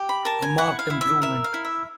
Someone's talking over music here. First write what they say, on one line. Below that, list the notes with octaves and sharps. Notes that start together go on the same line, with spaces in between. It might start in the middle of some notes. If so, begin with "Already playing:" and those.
A marked improvement.
Already playing: G4
B5
A#4 A5
G#5
E4 F#5
F5
E4
E5
A#4 E5
F5
E4
E5